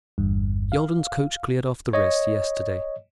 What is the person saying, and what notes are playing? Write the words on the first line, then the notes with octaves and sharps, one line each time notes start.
Yalden's coach cleared off the rest yesterday.
G1 E2 G2
F5
C#5 D#5